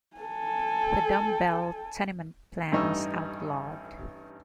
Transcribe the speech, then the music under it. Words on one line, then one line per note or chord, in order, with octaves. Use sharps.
The Dumb-bell tenement plan was outlawed.
A4 G#5
A1 G2 D#4 C#6 E6